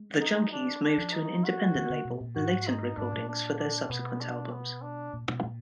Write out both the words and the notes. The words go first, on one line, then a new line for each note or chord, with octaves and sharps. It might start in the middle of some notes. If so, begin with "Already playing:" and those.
The Junkies moved to an independent label, Latent Recordings, for their subsequent albums.
Already playing: G#3
D#4
D4
D4
F3
D#4
F#4
D#3
D3
B2
A#2
G#2 F#4
D#4
G#2 D4
A#2
D4
D4
B2 B3
D4
B3
D4
A#2
B2
A#2